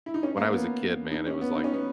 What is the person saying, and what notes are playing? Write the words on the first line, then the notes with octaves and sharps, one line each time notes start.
when I was a kid, man, it was, like,
E4
D#4
C#4
A#3
B3
D#4
C#4
B3
D#4
C#4
B3